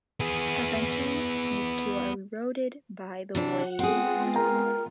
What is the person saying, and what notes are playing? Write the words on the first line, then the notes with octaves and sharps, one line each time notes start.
Eventually these too are eroded by the waves.
B3 G#4
C3 E3 D4 F#5
G#3 B3 C4 F4 G#4 F#5
A#4 G5 A#5